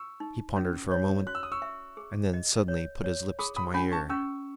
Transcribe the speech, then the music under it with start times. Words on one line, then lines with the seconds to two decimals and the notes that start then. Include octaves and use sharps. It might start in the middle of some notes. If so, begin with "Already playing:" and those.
He pondered for a moment, and then suddenly put his lips to my ear.
Already playing: C#6 E6
0.20 D#4
0.56 C#4
0.91 C#5
1.27 F#4 F#6
1.35 E6
1.43 D#6
1.52 C#6 E6
1.62 E5
1.97 G#4
2.33 D#5
2.68 C#5
3.04 C#5
3.39 G#4 B5 D#6
3.56 B5 D#6
3.74 C#4 G#5 B5
3.92 A5 C#6
4.10 C#4 C#6 E6